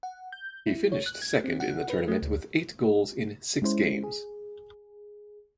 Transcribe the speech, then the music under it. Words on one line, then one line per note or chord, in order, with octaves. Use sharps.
He finished second in the tournament with eight goals in six games.
F#5
G6
E4
C#5
F#6
G#6
C4
F#5
B4
A3
D2
G#3 C#4 E4 C5
G#4